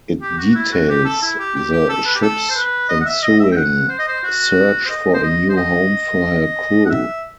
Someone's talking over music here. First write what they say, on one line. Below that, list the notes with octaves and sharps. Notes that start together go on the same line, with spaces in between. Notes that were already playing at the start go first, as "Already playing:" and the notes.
It details the ship's ensuing search for a new home for her crew.
G4
F#4
E4
F#4
G4
A4
E4
G4
G4
G4
A4
B4
G4
A4
C5
B4
D#5
F#5
E5
D#5
E5
G5
F#5
C5
D#5
C5
F#4
C5
D#5
C5
D#5
C5
D#5
F#5
E5